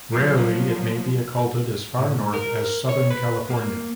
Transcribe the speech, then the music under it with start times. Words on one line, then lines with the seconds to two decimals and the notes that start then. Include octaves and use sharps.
Rarely, it may be occulted as far north as southern California.
0.12 F3 F#3
1.99 A2
2.34 A#4
2.89 C#5
3.11 B4
3.50 A#3